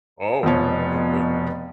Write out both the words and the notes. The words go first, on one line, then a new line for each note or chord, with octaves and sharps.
Oh. Okay.
F1 B2 F3 C#5